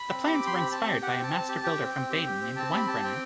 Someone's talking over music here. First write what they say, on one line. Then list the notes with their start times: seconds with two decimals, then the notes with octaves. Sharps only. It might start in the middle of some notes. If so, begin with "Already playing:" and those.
The plans were inspired by a master builder from Baden named Weinbrenner.
Already playing: B5
0.09 C4
0.25 G4
0.34 D6
0.40 G4
0.46 C6
0.56 C4 B5
0.72 C4 A5
0.86 G4 G5
1.02 G4 F#5
1.13 G5
1.18 C4 A5
1.33 C4
1.49 G4
1.64 G4 G5
1.80 C4
1.95 C4
2.10 G4
2.26 G4
2.41 C4
2.56 C4 A5
2.72 G4 B5
2.87 G4 A5
3.03 C4 G5